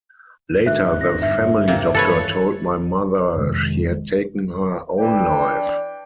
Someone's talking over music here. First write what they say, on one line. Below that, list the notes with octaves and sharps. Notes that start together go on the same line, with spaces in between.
Later the family doctor told my mother she had taken her own life.
G#2 D3 E5 F#6
F2 A#6
G2 E5
C3 A#3
E3 A4 B4 C#5
F2 C3 D#3 G#3
E3 D4 G5